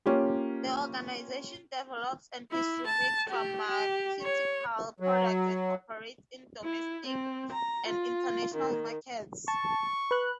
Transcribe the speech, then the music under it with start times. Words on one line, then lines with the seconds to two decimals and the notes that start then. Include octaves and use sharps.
The organization develops and distributes pharmaceutical products and operates in domestic and international markets.
0.06 A#3 C#4 F4 G4
2.52 E4
2.86 A5
3.29 G4
3.68 G4
4.22 C#5
5.00 F#3
6.64 E4
7.06 C4
7.52 A#5
7.87 F4
8.54 D#3
9.48 A5 C#6
10.11 B4 F#6